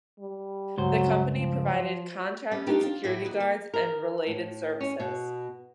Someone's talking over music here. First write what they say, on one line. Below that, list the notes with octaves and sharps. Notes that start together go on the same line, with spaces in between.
The company provided contracted security guards and related services.
G3
C#2 G2 F#3 C5
F3
G3 B3 C#4
A3 D4 D#4 F4 G4
F4
A2 A3 E4 G4
D#2 F#4
A#3
A#4
A2
C#4
B2